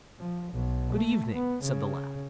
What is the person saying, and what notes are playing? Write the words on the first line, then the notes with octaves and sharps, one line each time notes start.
'Good evening!' said the lad.
F3
B1
A3
B3
C#3